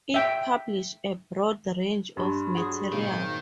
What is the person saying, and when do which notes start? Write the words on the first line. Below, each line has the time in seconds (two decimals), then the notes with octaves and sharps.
It published a broad range of material.
0.14 E5 G5
2.17 G2 A5 C6
2.54 F#3 G#4 C6 C#6
2.92 G#1 A#2 D#3 G#3